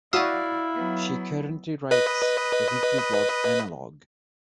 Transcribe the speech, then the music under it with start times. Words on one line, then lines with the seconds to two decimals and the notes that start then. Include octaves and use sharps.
She currently writes the weekly blog 'Annalog'.
0.13 E4 F#4 D5 E5 F5 D#6 E6
0.74 F#3 B3
1.91 B4 D#5